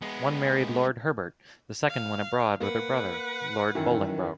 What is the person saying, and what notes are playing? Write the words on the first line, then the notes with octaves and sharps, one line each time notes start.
One married Lord Herbert, the second went abroad with her Brother, Lord Bolingbroke.
G#3 B3
F5
A#3 B4 F#5
F#2 D#3 E3